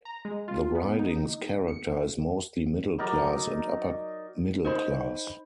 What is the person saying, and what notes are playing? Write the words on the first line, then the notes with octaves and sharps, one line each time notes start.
The riding's character is mostly middle-class and upper middle-class.
A#5
G#3
F4
B3
D#4
C#7
F#3 D#4 A#4 D5
D#4 C5 B5